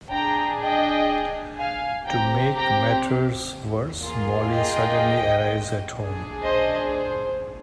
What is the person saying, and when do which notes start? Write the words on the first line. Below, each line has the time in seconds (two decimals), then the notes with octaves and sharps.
To make matters worse, Molly suddenly arrives at home.
0.11 D4 G#4 G5 A#5
0.60 D#5 G5
1.58 F5 G#5
2.07 C4 G4 G5 A#5
2.56 G5 A#5
4.02 A#3 F4 G#4
4.51 D#5 G5
5.98 D4 G#4
6.46 C5 D#5
6.95 C5